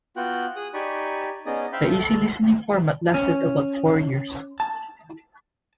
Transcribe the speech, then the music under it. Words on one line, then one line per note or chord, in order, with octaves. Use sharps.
The easy listening format lasted about four years.
B3 F4 F#4 G5 F#6
G#4 D#6 F#6
D#4 G4 D5 G#5 B5 C#6
B3 C#4 D#4 G#4 D5 D#5
C5 E5 F5 G5 B5
A4
C#4
A5